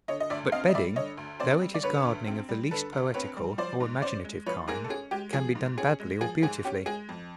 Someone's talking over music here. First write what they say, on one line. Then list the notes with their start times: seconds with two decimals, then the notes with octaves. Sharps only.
But bedding, though it is gardening of the least poetical or imaginative kind, can be done badly or beautifully.
0.08 D3 C#5 D#5
0.20 D#5
0.30 D2 D5 E5
0.52 C4 D#5 F5
0.69 D#5
0.74 G3 D5 E5
0.96 D3 C#5 D#5
1.17 D2
1.40 C4 C5 D5
1.61 G3
1.74 D5
1.83 D3 B4 C#5
2.05 D2
2.28 C4
2.49 G3
2.71 D3 A4 B4
2.93 D2
3.14 C4 B4 C#5
3.37 G3
3.58 F3 C5 D5
3.80 G#2
4.02 C#4 C5 D5
4.24 G#3
4.46 F3 B4 C#5
4.68 G#2 G#4 A#4
4.84 A4
4.89 C#4 G#4
5.11 G#3 G4
5.33 F3 G#4
5.55 G#2
5.78 C#4 G#4
6.00 G#3
6.21 F3 G#4
6.42 G#2 G#4
6.64 C#4 G4
6.86 G#3 G#4
7.09 F2